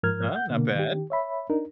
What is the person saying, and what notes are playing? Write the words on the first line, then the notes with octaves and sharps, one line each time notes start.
Uh, not bad.
G#2 F3 A#4 F6 G#6
F#5 G6
B2 D3 A#3
D#3 G4
C#5 E5 B5
D4 D#4 A#4